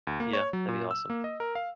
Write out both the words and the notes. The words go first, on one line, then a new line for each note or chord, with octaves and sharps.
Yeah. That'd be awesome.
D2
A#3
C#5
F#3
A#2
E6
A#3
D#5
A#4
F5